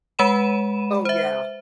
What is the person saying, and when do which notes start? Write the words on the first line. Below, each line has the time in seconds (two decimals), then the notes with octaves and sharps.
Oh yeah.
0.19 G#3 B4 F#5 B5 D#7 E7
1.05 C5 E5